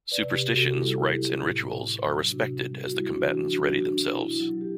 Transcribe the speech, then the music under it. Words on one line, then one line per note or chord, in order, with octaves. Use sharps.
Superstitions, rites and rituals are respected as the combatants ready themselves.
B4 D5
C3
G4 B4
C3 F#4 A4
E4 G4
G3 A4
E4 G4
F#3 E4 G4
A2
A2
F#3
C3 D4 F#4
G3
F#4
G3 E4
D4 F#4
E3
D4 F#4
F#3 D4 F#4
D4 F#4
B2
D4
B2 E4
E4
F#3
G4